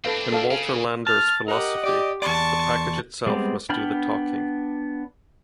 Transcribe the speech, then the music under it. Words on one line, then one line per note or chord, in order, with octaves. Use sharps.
In Walter Landor's philosophy, The package itself must do the talking.
C4 D4 A4 B4 F5
A4 F5
C#3 F5
A5 F6
G4 A#4 D#5 F#5
G4 D5
E2 D5 A5 C6 C#6
G3 G#3 B3 C4 D6
B3 D4 G5 B5 F6